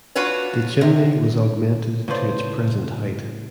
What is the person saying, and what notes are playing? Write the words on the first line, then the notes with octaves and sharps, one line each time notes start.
The chimney was augmented to its present height.
D4 F4 F#4 B4 C#5
C3
A2 C#3 B4 C5 D5